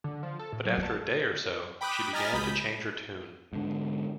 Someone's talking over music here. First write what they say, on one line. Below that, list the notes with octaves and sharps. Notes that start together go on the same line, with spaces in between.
But after a day or so she began to change her tune.
D3
F3
A4
A2
F#3
A5
G5 B5 D6 D#6 F#6
D#5 G#5 A#5 F6 A6 B6
C#2 B5 D#6 G6
G#2 D3